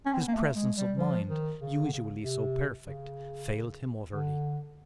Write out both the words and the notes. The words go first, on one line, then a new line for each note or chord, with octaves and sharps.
His presence of mind, usually so perfect, failed him utterly.
C#4
C4
B3
A#3
A3
G#3
G3
F3
D#3
C#3
D3
C#3
C3
C#3
D3